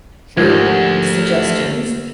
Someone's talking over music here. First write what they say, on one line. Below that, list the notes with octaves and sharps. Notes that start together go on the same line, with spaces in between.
for the suggestions.
D2 G#2 F3 G4 A#4 G#6